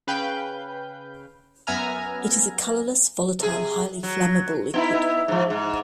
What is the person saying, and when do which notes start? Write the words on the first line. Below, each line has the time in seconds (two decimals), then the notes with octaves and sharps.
It is a colourless, volatile, highly flammable liquid.
0.07 C#3 B4 F5 G5 G6
1.67 F#2 B3 E5 G#5 A#5 F6
3.40 C3 G#4
4.03 F#3
4.74 B3 D#4 E4
5.28 G#2 F3
5.50 G#2